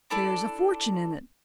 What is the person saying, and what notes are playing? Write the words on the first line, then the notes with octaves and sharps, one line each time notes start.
"There's a fortune in it!"
D4 E4 A4 D5